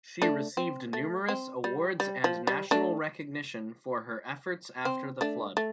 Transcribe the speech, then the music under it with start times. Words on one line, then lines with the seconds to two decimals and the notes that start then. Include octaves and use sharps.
She received numerous awards and national recognition for her efforts after the flood.
0.22 A3 D4
0.57 C4
0.93 A3
1.29 C4
1.64 G3
2.00 G3
2.24 F3
2.47 G3
2.71 A3 D4
4.85 C4
5.21 A3 D4
5.57 A3